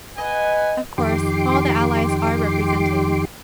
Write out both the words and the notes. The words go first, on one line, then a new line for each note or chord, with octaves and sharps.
Of course, all the allies are represented.
B4 D#5 F#5 G#5
F2 D#3 G4 C6 D6